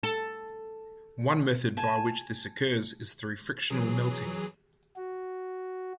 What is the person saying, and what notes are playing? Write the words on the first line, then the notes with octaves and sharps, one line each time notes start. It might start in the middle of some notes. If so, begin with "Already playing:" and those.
One method by which this occurs is through frictional melting.
A4
G#5 A5
E3 F#3 G#4
F#4